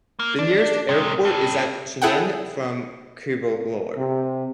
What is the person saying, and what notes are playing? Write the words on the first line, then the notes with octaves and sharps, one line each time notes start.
The nearest airport is at Chennai, from Cuddalore.
A#3
D4
C3 G#3
G4 A4
E4 G#4 A4 F#5 G5
C3